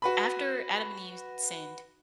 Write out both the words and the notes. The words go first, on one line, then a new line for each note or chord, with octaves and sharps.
after Adam and Eve sinned,
F#4 B4 B5